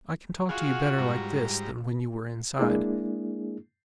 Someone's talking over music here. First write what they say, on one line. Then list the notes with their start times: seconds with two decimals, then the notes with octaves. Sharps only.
I can talk to you better like this than when you were inside...
0.49 F4 F#4 G#4 F5 F#5
0.98 G#2 G3 A#5
2.59 G#3 A#3 D4 E4 G#4